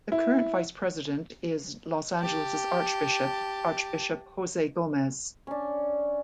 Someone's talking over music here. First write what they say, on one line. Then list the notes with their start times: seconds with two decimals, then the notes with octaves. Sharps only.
The current Vice President is Los Angeles's archbishop, Archbishop Jose Gomez.
0.12 E4
2.20 G4 A5
5.47 C#4 D4